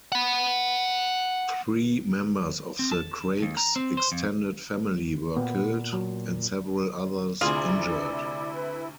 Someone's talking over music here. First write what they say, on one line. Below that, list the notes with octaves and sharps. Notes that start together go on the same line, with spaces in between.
Three members of the Craiggs' extended family were killed, and several others injured.
F#5 B5
C4
A5
D#2
A#5
C4
C5
F2
A#2 B3
F#3
D2 C3 E4 F4 G#4 D5
B4